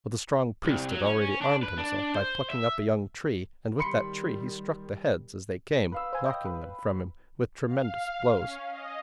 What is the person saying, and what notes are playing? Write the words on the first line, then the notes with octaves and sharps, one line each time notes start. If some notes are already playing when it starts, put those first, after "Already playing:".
But the strong priest had already armed himself by plucking up a young tree; and with that tree he struck the heads as they came,--knocking them from him with tremendous blows.
C2
F#3
C#4
D4
B4
D4
C5
E5
D#3 G3 B5 C6 C#7
B4 F5 E6
C5 G#5
C#5 D#5 G5
B4
F5
C#4
D#5